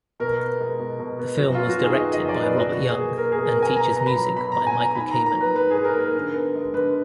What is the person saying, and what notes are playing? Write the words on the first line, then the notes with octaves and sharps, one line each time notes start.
The film was directed by Robert Young, and features music by Michael Kamen.
B2 A#4
B3
G#3
B2
B2
B3
F#2 F#4
F#3 F4
F#4
D#3 G#4
B3 D#5
F#2 D#5
D5
F#3 B4
B2 F#4
B2
G#4
A#3
A#3 A#4
G#4
B2
A#4
B2
G#5
B2 A#5
B3 A#5
B5
F#3 A#5
B2 B5
B2 A#5
G#5
B3
A#5
G#2 B5
A#3 A#5
A#5
F#3
B4
G#2 B4
G#2 G#4
A#4
A#3 A#4
D3
B3
G#3
D3 B4